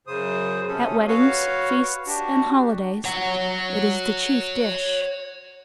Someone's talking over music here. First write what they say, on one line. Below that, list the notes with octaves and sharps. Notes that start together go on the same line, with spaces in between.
At weddings, feasts, and holidays it is the chief dish.
F#2 C#3 C5 D#6
C3 C#4 A4 D#6
F#4 B4 C#5 F5
D4 F#4 G4
C#5 F#5